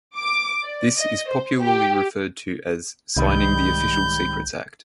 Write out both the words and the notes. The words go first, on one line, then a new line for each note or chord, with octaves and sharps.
This is popularly referred to as "signing the Official Secrets Act".
D6
D5
D#5
C5
G4
C2 G#2 D#3 G3 B5 G6